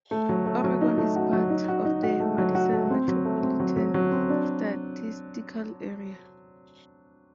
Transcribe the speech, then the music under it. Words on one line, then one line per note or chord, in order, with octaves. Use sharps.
Oregon is part of the Madison Metropolitan Statistical Area.
A3
F#3
A3
F#3
D#4
A3
F#4
F#3
D#4
F#4
D#4
F#4
A3
F#3
F#4
A3
C4
F#3
A3
C4
F#3
F#3
F#3
C4
D4